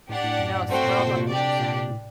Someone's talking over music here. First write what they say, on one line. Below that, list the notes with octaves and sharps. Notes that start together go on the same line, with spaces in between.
No, swirled on the inside
A2 D4 G4 D5 F#5
A2
F#2
G2 A3 C4 F#4 C5 G5
A#2
A#2
C3
A#2
C3 D4 G4 D5
A#2
A2